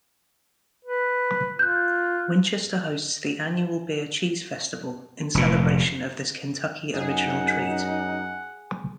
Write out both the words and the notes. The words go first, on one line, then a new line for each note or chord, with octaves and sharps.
Winchester hosts the annual Beer Cheese Festival in celebration of this Kentucky original treat.
B4
F4 F#6 G6
F1 A#2
F#2 D#4 G#4 F#5